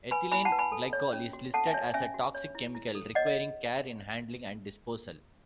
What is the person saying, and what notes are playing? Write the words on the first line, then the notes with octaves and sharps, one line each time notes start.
Ethylene glycol is listed as a toxic chemical requiring care in handling and disposal.
B4 G#5 B5
E4 G#5 B5
F#5 A5
B4
G#5 B5
A4
C#5
C#4
F#4
A4 F#5 A5
E5 G#5
C#5
C#4 E5 G#5
F#4
C#5
E4
E4
A4
C#5 D#5 F#5
D#5